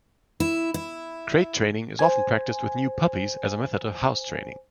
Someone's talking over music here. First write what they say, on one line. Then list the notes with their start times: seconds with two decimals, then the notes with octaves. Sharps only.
Crate training is often practiced with new puppies as a method of house-training.
0.40 E4
0.74 E4
1.99 C5 G#5